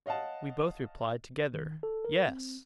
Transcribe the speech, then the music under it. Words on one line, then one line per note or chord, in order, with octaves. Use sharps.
We both replied together, 'Yes!'
C#5 D#5 F5 F#5 A5
D#3
A4
A#4
C4